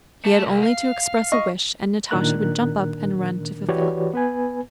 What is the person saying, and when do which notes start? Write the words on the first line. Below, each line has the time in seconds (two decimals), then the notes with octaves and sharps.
He had only to express a wish and Natasha would jump up and run to fulfill it.
0.25 A3 A5
0.46 C2
0.63 F5
1.32 D#5 C#6
2.11 A#2 D#3 D4 A#4 F#6
3.68 E3 F#4 G4 B4 C#5 D5
4.14 B3 B4 G#5